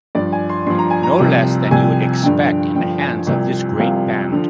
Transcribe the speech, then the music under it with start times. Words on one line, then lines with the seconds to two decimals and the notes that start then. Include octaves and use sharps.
No less than you’d expect in the hands of this great band.
0.15 G2 F3 D5
0.32 G#5
0.49 C6
0.67 G2 F3 C6
0.79 A#5
0.90 G#5
1.03 A#5
1.19 C2 C3 F3
1.71 C2 C3 F3 G#5
2.23 G2 D3 F3 G5
2.75 G2 D3 F3 G5
3.01 G#5
3.27 C2 C3 F3
3.79 C2 C3 F3 F5
4.32 D3 F3